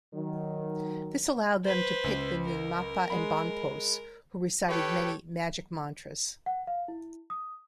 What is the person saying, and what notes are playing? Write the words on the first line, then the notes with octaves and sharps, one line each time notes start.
This allowed them to pick the Nyingmapa and Bonpos, who recited many magic-mantras.
D#3 F#3
B4 C5
C#2
A#4
G#3 B5
G4 A4 B4 C#5 G5
F#5
F5
E4
D#6